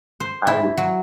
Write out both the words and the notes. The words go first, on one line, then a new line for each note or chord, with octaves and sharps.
I would
C5
E4
F#3